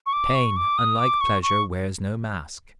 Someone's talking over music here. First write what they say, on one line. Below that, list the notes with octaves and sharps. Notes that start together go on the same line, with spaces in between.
Pain, unlike pleasure, wears no mask.
C#6
D6
C#6
D6
D#6
D6
C#6
C#6